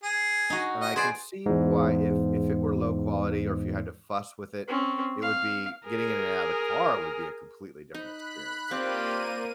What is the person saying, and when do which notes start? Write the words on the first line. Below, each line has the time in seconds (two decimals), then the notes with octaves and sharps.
And I can see why if if it were low quality, or if you had to fuss with it, it would be getting in and out of the car would be a completely different experience.
0.03 G#4
0.50 D#4 F#4
0.81 D#5
0.96 G#4 B4 C5 D5 G#5
1.46 E2 G#2
4.68 C4 C#4
5.22 F5
5.87 G#4 A#4
7.94 D#4 B5 F#6
8.71 A#3 C4 F4 G4 C5 D5 F5 D#7